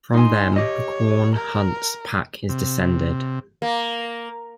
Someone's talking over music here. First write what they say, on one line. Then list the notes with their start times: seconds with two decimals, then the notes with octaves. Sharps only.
From them the Quorn Hunt's pack is descended.
0.14 D#4 G#5 C6
0.56 G4 C#5 D#5
1.35 A#4
2.49 C3
3.62 A#3